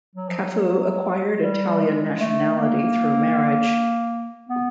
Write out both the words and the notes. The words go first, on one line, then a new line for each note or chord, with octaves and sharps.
Cafu acquired Italian nationality through marriage.
F#3
F3
F#3
G3
G#3
A3
A#3
B3